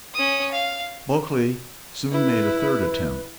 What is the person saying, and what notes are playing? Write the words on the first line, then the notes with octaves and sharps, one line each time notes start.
Bulkeley soon made a third attempt.
C#4 D#6
F5
E4 B4